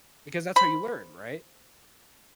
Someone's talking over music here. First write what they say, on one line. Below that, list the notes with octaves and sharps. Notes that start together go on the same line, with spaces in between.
Because that's how you learn, right,
C5 B5